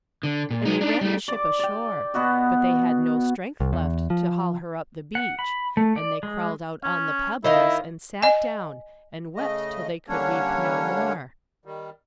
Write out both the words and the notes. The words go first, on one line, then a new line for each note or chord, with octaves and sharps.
And they ran the ship ashore; but they had no strength left to haul her up the beach; and they crawled out on the pebbles, and sat down, and wept till they could weep no more.
D3
A#2
F#3 D#4
D4 D#4
G3 A3
D5 D6
D5 G5
B2 B3 F#4 D#5
C2
E2
F3
F#5
B5
A3
D5
G#3
C#4
D#3 E4 D#5 F5
D#5 G#5
C#3 A3 D#5
D3 G3 A#3 C#4 D4 C#5
D#3 G3